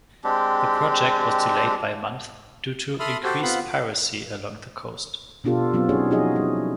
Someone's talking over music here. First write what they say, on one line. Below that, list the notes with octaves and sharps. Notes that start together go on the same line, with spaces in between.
The project was delayed by a month due to increased piracy along the coast.
G#3 C4 D4 G4
A4 E5 B5 C6 D#6 F6
F#4 G4 A4 C5
B3 C4 F4 F5 F#5 B5
B2 B3 D4 F4 G4 A4
F#3 B3 C4 F4
C#4 D#4 G#4 C#5 D5
F3 D#4 F#4 G#4 D#5
G3 E4